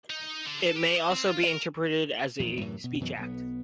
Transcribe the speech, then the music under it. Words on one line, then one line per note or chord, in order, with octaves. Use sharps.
It may also be interpreted as a speech act.
D#4
D3
A4
G4
D#5
C4
F4
A#4
A#1 E2 A#2
F#2 A2 C3 E3
B2
F#2 B2 E3 F#3
B1 B3